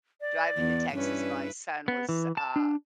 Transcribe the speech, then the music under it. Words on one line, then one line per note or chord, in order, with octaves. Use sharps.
drive into Texas, my son was, uh,
D5
E2
G2 C#4 E4 B4
B3
E3
A5
D4